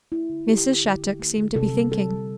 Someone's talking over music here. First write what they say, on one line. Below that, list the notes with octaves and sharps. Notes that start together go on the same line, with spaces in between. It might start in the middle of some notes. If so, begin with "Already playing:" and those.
Mrs. Shattuck seemed to be thinking.
A3 E4
D3
D3 G4
D3
D3
D3
A3
D3
C3 A4
G3
G3 A4
G3